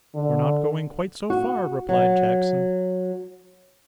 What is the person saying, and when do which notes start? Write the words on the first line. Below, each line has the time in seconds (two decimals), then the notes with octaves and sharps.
'We're not going quite so far,' replied Jackson.
0.15 D3
1.30 F#4
1.89 F#3